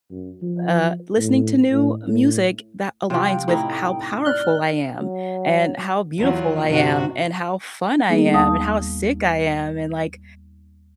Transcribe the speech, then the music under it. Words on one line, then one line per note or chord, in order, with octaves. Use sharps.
uh, listening to new music that aligns with how powerful I am, and how beautiful I am, and how fun I am, and how sick I am, and like,
F#2
F3
A2
A2
A2
C3 F3 G5
A2 D#4 E4
D5 F6 F#6 G7
F#3
E2 F#3 F4
G2 C3 F#4
G3 A#3 B3 D#4 G#4
D#2 F5 A5 D#6